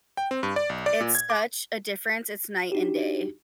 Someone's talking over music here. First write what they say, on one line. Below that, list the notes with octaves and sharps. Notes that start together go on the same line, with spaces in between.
it's such a difference, it's night and day.
G5
C4
G2
D5
B1
D5
A#2
G#6
D6
D4 D#4 F#4 G4